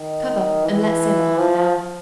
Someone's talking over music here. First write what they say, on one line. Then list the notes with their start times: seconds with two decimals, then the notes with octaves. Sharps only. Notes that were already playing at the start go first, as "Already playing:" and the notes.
Cover and let simmer half an hour.
Already playing: D#3
0.66 E3
1.38 F3